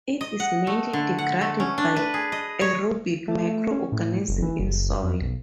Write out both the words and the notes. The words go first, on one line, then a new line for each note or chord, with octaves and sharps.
It is mainly degraded by aerobic microorganisms in soils.
D#5
F#5
A3
D3
F#5
A3
C#4
D4
B4
G#4
D#5
C#5
A3
C#4
A2
F#1
E3
F#1
F2
B1